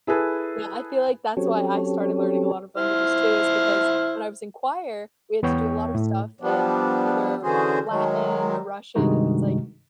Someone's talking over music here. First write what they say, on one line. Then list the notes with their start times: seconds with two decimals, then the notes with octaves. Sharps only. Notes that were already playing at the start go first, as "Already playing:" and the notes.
Yeah I feel like that's why I started learning a lot of languages too is because when I was in choir we had to do a lot of stuff in either Latin or Russian and it's like,
0.07 E4 G#4 A4 B4
1.37 F#3 C4 C#4 G4 A4 C#5
2.77 E4 C5 F6
5.43 E2 B3 C#5 G5 C#6
5.95 A2
6.40 F3 G3 B3 D4
7.43 D3 E3 C#4 F#4 G#4 C5
7.89 D#3 F#3 G#3
8.95 G2 C3 D#3 G#3 D#4 F#4